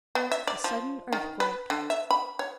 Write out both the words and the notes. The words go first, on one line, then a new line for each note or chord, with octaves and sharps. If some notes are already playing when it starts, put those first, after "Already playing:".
A sudden earthquake.
B3
E5
D5
F3
D#3
B4
D3
E5
B5
C#5